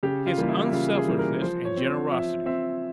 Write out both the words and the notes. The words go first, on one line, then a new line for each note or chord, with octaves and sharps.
His unselfishness and generosity?
C#3 G4
F4
E3 G3 A#3
E4
C#3 F4
G#4
E3 G3 A#3
A#4
F3 C5
C#5
C4
C5
F3 E5
C4 E5